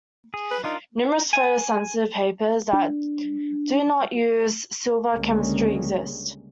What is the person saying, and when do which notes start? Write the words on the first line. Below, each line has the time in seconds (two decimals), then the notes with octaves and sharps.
Numerous photo sensitive papers that do not use silver chemistry exist.
0.34 G#4
0.51 B4
0.64 D4 D#4 F4 A#4
1.33 G#5
2.73 D4
5.13 C#2 D3 G3 G#3 A#3 C#4